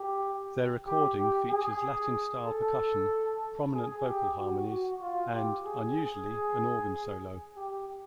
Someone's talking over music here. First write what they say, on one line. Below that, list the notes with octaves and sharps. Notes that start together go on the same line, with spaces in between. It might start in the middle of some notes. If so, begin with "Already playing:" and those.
Their recording features Latin-style percussion, prominent vocal harmonies, and, unusually, an organ solo.
Already playing: G4
G4
G4
G#4
A4
G#4
G4
F#4
F#4
F4
G4
G#4
G#4
G4